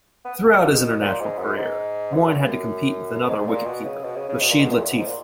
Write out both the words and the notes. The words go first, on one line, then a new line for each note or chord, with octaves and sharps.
Throughout his international career, Moin had to compete with another wicket-keeper, Rashid Latif.
B3
B2
A#2
G#2
F#2
G#2
F#2
E2
F#2
G#2
G#2
A#2
B2
C#3
B2
C#3
C#3
B2
A#2
B2
A#2
E2
F#2
G#2
A#2